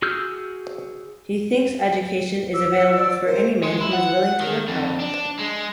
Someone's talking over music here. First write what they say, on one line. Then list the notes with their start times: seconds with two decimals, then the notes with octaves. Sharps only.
He thinks education is available for any man who is willing to work hard.
0.02 F#4 G#4 E6 F6 G6
2.54 D6 E6
2.71 F#5
2.95 D5
3.25 A#4 C5
3.64 G#3
3.81 E4
3.93 F#5
4.41 D#3
4.68 F2
5.00 D4
5.39 G#3